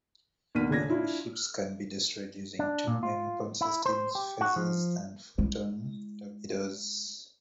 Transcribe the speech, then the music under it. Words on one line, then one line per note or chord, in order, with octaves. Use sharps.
Enemy ships can be destroyed using two main weapons systems: phasers and photon torpedoes.
D#2 B2 D4 F6 B6 D#7
D#1 C#3 D4 G#6 A#6
D4 E4 F4
D4
A#2
F4
E4
C5
G4
F#4
F3
G#3 E4